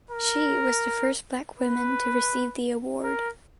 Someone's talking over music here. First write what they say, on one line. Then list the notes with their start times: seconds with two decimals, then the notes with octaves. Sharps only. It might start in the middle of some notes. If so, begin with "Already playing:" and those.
She was the first black woman to receive the award.
0.11 A#4
1.58 B4
3.03 A#4